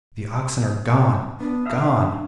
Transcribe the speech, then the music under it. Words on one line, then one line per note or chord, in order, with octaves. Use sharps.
The oxen are--gone--gone!'
B3 D4
E5 F5 D#6